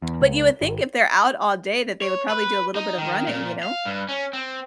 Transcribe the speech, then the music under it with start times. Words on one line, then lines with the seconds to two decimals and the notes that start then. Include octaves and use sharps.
But you would think if they're out all day that they would probably do a little bit of running, you know?
0.02 E2
0.21 C#2
0.61 G#1
2.02 C#5
2.30 B4
2.76 D#4
2.98 D#3
3.27 A#2
3.63 F5
3.85 G2
4.09 C#4
4.33 C4